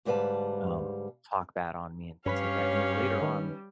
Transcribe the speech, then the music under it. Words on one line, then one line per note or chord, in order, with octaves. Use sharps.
um, talk bad on me and things like that and then later on,
D2 G#2 G3 B4 F5 A5
G2 C#4 G4 B4 C#5 F5 B6
D#3 G3 D#4 B4